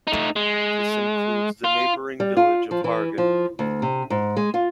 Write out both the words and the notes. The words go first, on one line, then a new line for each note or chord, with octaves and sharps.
This includes the neighbouring village of Hargen.
A3 D#4
G#3
F4
G3
F4
F3
E3
F3
D2
C3
G#2
G#3
F4